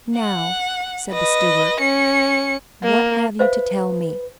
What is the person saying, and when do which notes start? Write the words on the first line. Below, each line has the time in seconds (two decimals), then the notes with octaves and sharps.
"Now," said the steward, "what have you to tell me?"
0.17 F#5
1.12 B4 D#5
1.80 C#4 C#7
2.83 A#3
3.39 B4 C5 E5 F5